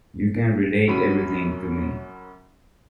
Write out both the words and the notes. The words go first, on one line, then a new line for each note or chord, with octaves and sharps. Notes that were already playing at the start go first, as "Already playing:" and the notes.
You can relate everything to me.
F#2 F#3 C#4 B5 D7 D#7